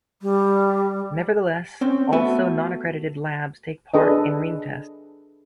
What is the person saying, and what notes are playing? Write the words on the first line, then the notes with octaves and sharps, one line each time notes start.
Nevertheless, also non accredited labs take part in ringtests.
G3
C4 C#4 C5
A3 B3 F#4 A4 B4 E5
D4 G#4 A4 B4 D#5